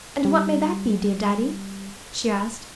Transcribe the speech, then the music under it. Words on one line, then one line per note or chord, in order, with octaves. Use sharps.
"And what may that be, dear Daddy?" she asked.
G3